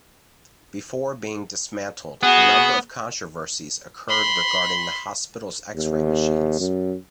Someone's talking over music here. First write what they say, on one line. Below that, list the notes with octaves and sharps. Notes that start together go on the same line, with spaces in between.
Before being dismantled, a number of controversies occurred regarding the hospital's X-ray machines.
B3 F#4 G#4
B5 C6
D#2
F#2